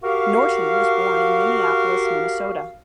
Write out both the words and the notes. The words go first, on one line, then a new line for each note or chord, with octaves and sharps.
Norton was born in Minneapolis, Minnesota.
F#4 G4 A#4 F5